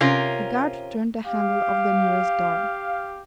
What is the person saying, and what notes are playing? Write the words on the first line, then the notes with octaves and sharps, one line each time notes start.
The guard turned the handle of the nearest door.
C3 C#4 F4 A#4
G4 F5